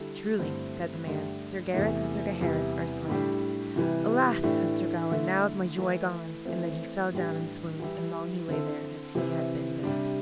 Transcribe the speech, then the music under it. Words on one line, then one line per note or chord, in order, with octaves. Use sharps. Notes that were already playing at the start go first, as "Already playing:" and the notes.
"Truly," said the man, "Sir Gareth and Sir Gaheris are slain." "Alas!" said Sir Gawain, "now is my joy gone." And then he fell down and swooned, and long he lay there as he had been dead.
Already playing: D3 G3 E4 A4
G2 D3 A3 C4 E4
G2 D3 A3 D4 G4
E2 C3 E3 A3
E2 C3 E3 G3 E4
A2 G3 D4 G4
C3 E3 G3
A2 E3 A3 D4 G4
D3 A3 E4
E3 A3 E4
E3 A3 C4
A2 E3 G3 D4 G4
E3 G3 E4 G4
D3 C4 E4 A4
C3 E3 C4 E4
C3 G3 D4